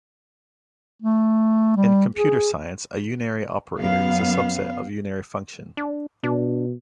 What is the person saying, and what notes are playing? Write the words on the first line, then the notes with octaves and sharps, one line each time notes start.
In computer science, a unary operator is a subset of unary function.
A3
G3
G#4
F#2 B3 F5
D4
B2 D4